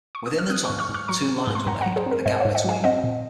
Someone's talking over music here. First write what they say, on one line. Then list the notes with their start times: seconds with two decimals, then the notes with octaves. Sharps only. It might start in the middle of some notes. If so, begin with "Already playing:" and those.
Within the tunnel, two lines were laid with a gap between.
0.15 C#6
0.26 D#6
0.39 F6
0.50 C4 D#6 F#6
0.64 C#6 F6
0.70 G#2
0.79 C#6 F6
0.89 G#2
0.94 C#6 F6
1.08 F#3 A#5 C#6
1.29 C4
1.47 G#2
1.55 C6
1.66 G#2 F#5 A#5
1.81 F#5 A#5
1.86 F#3
1.96 G#4 C5
2.06 C4
2.11 A#4
2.26 G#2 C5 D#5
2.36 F#5
2.40 C#5 F5
2.45 G#2
2.55 D#5 F#5
2.64 F#3 F5 G#5
2.84 C4 D#5 F#5
3.04 A#2